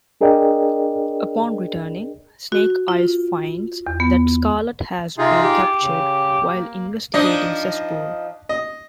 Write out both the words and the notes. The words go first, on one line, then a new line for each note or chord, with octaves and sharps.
Upon returning, Snake Eyes finds that Scarlett has been captured while investigating Cesspool.
D4 G#4 A#4 D5 D#5 G5
F#4
F4
E2
B3
C3 D#4 F4 G#4
G4
C#3
A#3
F3 D4 D#4 D#5
D#5